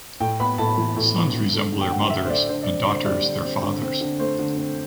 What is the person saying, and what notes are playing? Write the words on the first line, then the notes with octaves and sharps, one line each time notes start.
Sons resemble their mothers, and daughters their fathers.
A2 G5
B3 B5
A2 A5
E3
A2
B3
D3
A3
D3
G5
F#3 F#5
D3 E5
C5
A3 D5
D3 C5
D5
C4
D3
C5
G3 D5
D3
C4
D3
C4
D3
A3 C5
D3
C4